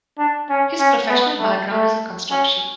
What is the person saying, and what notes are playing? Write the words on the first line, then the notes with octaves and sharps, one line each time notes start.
His professional background is in construction.
D4
C#4
C#4
B3
A3
A3
C#4